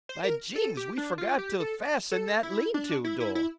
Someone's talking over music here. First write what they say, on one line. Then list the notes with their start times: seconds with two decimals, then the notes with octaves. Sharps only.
By jings, we forgot to fasten that lean-to door!
0.09 C5
0.24 A#4
0.56 A4
0.77 G4
0.98 D4
1.18 F4
1.39 G4
1.60 A4
2.12 A4
2.43 E4
2.74 D4
3.04 E4
3.20 E4
3.35 E4